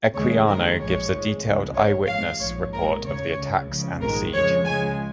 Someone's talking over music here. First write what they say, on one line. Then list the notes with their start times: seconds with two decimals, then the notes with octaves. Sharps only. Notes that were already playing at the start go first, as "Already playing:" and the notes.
Equiano gives a detailed eyewitness report of the attacks and siege.
0.15 D#2 C#3 F3 G#3 C#5
0.47 D#2 D#3 G#3 A#4
0.79 A#1 G#2 F3 G#3 C#5
1.11 G#1 G#2 G#3
1.43 C#2 C#3 F3 G#3
1.76 G#1 G#2 D#3 C#5
2.08 G#1 G#2 F3 G#3 F5
2.40 A#1 G#2 F3 G#3 C#5
2.72 A#1 G#2 G#3 A#4
3.04 D#2 C#3 G#3 C#5
3.36 C#2 C#3 G#3
3.68 C#2 C#3 F3
4.00 A#1 G#2 D#3 G#3 A#4
4.33 F2 C#3 F3 G#3 C#5
4.65 C#2 C#3 F3 G#3 G#5